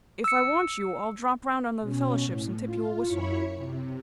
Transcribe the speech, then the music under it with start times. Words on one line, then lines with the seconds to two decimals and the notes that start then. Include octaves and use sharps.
If I want you, I'll drop round under the Fellowships and tip you a whistle.'
0.24 E6 C#7
1.80 B2 C#4
2.24 A2
2.64 F4
3.03 F#2 E4 C#5 B5 C#6
3.56 C3